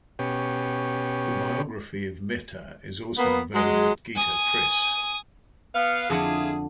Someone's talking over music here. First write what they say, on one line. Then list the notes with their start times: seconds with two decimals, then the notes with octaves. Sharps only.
The biography of Mehta is also available at Geeta Press.
0.19 B2 C#4 G4
3.18 A#3 B3
3.54 F#3 G#3
4.16 G#5 D#6
5.75 B3 F5
6.10 F2 D3 E4 F4 G#4 F#5